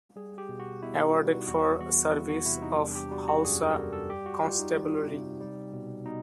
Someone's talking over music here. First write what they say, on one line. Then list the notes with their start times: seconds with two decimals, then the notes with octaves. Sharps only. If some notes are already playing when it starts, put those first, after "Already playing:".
Awarded for service of Hausa Constabulary.
0.16 G3 G#4
0.38 G4
0.49 B2
0.60 F#4
0.83 B2 E4
0.98 D#4
1.14 G3
1.31 F#4
1.47 E2 F#4
1.80 E2 F#4
2.14 E2 E4
2.29 F#4
2.45 C3 E4
2.62 D#4
2.78 G3 D4
2.95 G4
3.11 G3 F#4
3.28 F#4
3.44 F#2 G#4
3.61 A4
3.77 G3 A#4
3.93 A4
4.10 G3 G4
4.26 F#4
4.42 G3 F4
4.59 D#4
4.75 G3
5.08 C3
5.40 G3
5.73 B2
6.05 B2 D#4